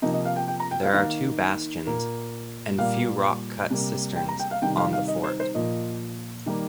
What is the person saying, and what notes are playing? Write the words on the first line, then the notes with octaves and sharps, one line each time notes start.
There are two bastions and few rock cut cisterns on the fort.
C3 F3 A#3 D#4
D#5
F5
G5
G5
A#5
G5
F5
D#3 A#3 F5
A#2 A#3
A#2 G3 A#3 F5
C3 G3 A#3
G5
A#5
G5
F5
C3 D#3 G3 G5
F5
F5
D#5
C5
C5
A#2 F3 A#3 D#5
D#3 G3 A#3